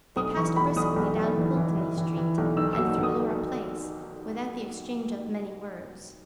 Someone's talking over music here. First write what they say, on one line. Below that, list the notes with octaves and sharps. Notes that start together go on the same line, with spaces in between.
They passed briskly down Pulteney Street, and through Laura Place, without the exchange of many words.
B1 D#6
E3 C#6
B1 B5
B1 D#6
B1
B1
E3
E3
E3
E3
E3
B1
D#3 E6
E6
F#3
E6
D#3
D#6